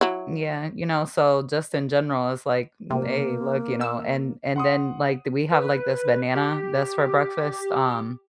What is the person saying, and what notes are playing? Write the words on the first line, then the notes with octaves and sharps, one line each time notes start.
Yeah, you know, so just in general, it's like, n hey, look, you know, and and then, like, th we have like this banana that's for breakfast, um,
F#3 E4
C3 A#3
E6
F#5 C6 D#6
B4
G4